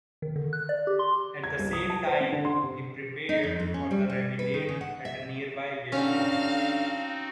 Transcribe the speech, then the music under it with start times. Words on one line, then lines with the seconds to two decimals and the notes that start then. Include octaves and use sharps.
At the same time, he prepared for the rabbinate at a nearby yeshiva.
0.22 D#3
0.36 D3
0.53 F#6
0.69 D5
0.87 G4
0.99 C6
1.44 G#6
1.59 C2
1.73 D#6
1.90 A5
2.07 C5
2.20 C4
2.32 D3
2.45 C6
2.63 C3
3.29 D#4
3.43 F2
3.59 F2
3.74 C#4
3.91 G3
4.10 G3
4.39 B4
4.54 D#3
4.69 C#3
4.81 F#5
5.05 E5
5.92 G2 D3 C4 C#4 D#4 F#4 F5